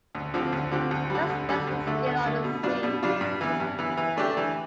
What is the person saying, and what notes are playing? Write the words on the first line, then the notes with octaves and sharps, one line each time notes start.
Suspects were still on the scene.
D2
D3 F3 C4 G4
D2
D3 F3 C4 G4
D2
D3 G3
D2
D3 G3
D2
D3 A3
D2
D3 A3
B2
G3 D4 F4
B2
G3 D4 F4
G2
E3 B3
G2
E3 B3
E3
A3 D4 G4
E3